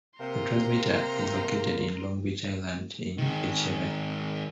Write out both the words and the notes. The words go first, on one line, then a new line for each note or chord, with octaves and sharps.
The transmitter is located in Long Beach Island in Beach Haven.
C3 A#3 A#5 C6
G#2 D#3